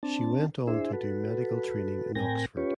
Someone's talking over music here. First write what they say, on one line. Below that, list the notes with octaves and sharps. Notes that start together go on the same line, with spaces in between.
She went on to do medical training in Oxford.
C4 D4 A5
D4 E4 G#4 C5 E5
F#4 A4 B4
A2 C4 A#4 G5 G#5 A#6
C#4 F4 G4 B4 C#5